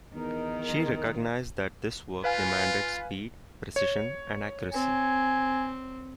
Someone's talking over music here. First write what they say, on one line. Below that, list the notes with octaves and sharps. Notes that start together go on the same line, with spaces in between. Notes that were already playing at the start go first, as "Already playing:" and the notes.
She recognized that this work demanded speed, precision and accuracy.
E2 D#3 D#4 A#4
F4 B4 F5 G#5
C#5
C4 G#5